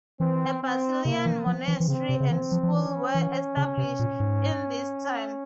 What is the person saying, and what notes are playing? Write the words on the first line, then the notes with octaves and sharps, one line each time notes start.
A Basilian monastery and school were established in this time.
E3 C4
C4
C3 A#3
E3
F3 C4
E3
E3
C#3 C4
C3
C#3
E3 C4
F3
F3
E3 C#4
E3
C#3
C3
A#2
G#2